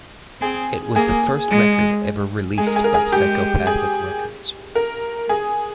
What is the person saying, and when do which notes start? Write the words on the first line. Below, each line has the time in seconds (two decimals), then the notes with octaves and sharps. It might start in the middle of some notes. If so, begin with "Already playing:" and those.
It was the first record ever released by Psychopathic Records.
0.41 C4 G#4
0.96 A#3 G#4
1.50 G#3
2.58 G#3 G#4
2.67 A#4
2.76 G#4
2.84 A#4
2.94 G#4
3.12 G#3 G4
3.67 G#4
4.75 A#4
5.29 G#4